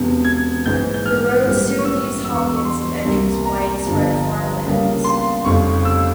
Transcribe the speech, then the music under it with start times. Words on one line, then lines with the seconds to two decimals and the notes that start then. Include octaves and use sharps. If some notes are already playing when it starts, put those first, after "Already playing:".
The road soon leaves Hopkins and enters widespread farmlands.
Already playing: E1 E2 C3
0.25 G#6
0.65 A#1 G#2 E3 G#3 G6
0.94 G6
1.06 F6
1.44 A#1 G#2 E3 G3 A#3
1.78 C#6
1.85 E6
2.24 E1 E2 E3 E6
2.35 C#6
2.45 E6
2.55 C#6
2.65 C6
3.04 C2 C3 G3 A#3
3.45 A#5
3.86 G1 G2 F3
4.66 C#2 C#3 G3 A#3
5.04 C6
5.45 F1 F2 C#3 G3 C#6
5.85 E6